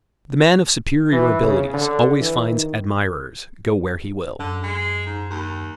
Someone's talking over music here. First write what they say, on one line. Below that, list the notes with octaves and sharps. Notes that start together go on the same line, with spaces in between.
The man of superior abilities always finds admirers, go where he will.
E3
C#3
D3
E3
D#3
F#2 D3
G#3
G#2
D#2